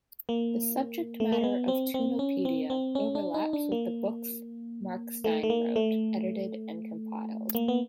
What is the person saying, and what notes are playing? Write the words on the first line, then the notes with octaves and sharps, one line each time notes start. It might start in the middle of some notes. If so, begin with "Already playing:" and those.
The subject matter of Toonopedia overlaps with the books Markstein wrote, edited and compiled.
A#3
A3
A#3
B3
C4
C4
C#4
C4
C4
C#4
D4
D#4
D4
A#3
A3
A3
A#3
A3
A#3
B3